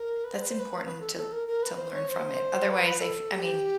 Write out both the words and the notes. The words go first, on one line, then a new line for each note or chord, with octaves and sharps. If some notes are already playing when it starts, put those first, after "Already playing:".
That's important to to learn from it. Otherwise, I f I mean
Already playing: A#4
B4
C5
B4
C5
B4
B4
A4
A4
A#4
A#4
B4
C5
C#5
C5
B4
A4
G4